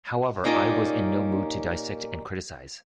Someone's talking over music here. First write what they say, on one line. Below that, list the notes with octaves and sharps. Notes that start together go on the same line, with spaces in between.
However, I was in no mood to dissect and criticize.
A#2 A#3 C#4 D#4 G4 D5